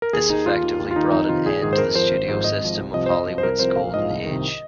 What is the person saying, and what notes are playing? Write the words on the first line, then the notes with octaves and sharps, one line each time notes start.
This effectively brought an end to the studio system of Hollywood's Golden Age.
A#4
D#2 G#4
D#3 D#4
D#2 F4
D#3
D#2 F4
F4
D#3 D#4
F2 D#4
C3 D#3 F4
A#1 G#4
G#2 D#3 G#4
C5
F2 A#4
F3 C5
G#1
G#2 F3
G#1 D#5
G#2 F3
C2
C3 F3 D#5
C5
F2 D#5
F3
C5
C2 A#4
C3 F3 C5
A#1 F5
G#2 F3 D#5
C2
D#3
C3